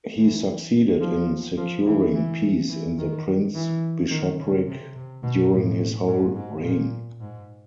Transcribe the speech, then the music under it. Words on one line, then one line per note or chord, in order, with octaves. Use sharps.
He succeeded in securing peace in the prince-bishopric during his whole reign.
E3
F3
F3
E3
E3
E3
D#3
E3
D#3
C#3
C3
C3
B2
A2
G#2
G#2
A#2
G#2